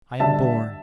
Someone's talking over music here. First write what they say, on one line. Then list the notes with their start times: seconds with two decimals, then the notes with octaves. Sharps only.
I am born.
0.20 D3 G3 D4 E5 A5